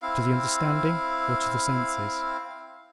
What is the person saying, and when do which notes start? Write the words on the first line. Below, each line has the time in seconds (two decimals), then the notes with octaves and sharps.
To the understanding or to the senses?
0.02 C4 E4 F5